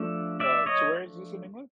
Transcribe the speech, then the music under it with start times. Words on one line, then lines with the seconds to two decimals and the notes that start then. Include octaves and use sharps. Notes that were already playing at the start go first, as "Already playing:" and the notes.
Uh, so where is this in England?
Already playing: F3 A3 D4 E5
0.40 D5 E5
0.66 C#5 D#5